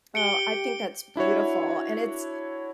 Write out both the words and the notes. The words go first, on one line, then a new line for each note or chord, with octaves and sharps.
Oh, I think that's beautiful, and it's
G4 C#7 D7 G7
D4 E4 F#4 C#5